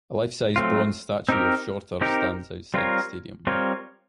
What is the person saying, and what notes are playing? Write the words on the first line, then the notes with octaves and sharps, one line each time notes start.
A life-size bronze statue of Shorter stands outside the stadium.
F#3 A3 C4 F4
C4 D#4 G4 A#4
C4 D#4 G4 A#4
G3 C4 F4 A#4 C#5
G3 C4 F4 A#4 C#5